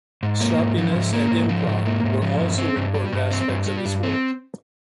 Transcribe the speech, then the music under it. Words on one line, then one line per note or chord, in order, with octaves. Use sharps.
Sloppiness and improv were also important aspects of his work.
G#2
A#3
G#2
F3
G#2
A#3
G#2
F3
G#2
A#3
G#2
F3
G2
C4
G2
G3
G2
C4
G2
G3
G2
C4